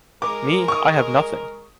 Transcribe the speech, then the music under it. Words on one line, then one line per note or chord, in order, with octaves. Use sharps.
Me, I have nothing!
G#3 A#4 D6
C#6 D#6